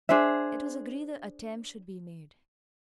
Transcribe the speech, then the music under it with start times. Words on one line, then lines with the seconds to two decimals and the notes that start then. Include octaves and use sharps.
It was agreed the attempt should be made.
0.09 D4 G#4 C5 E5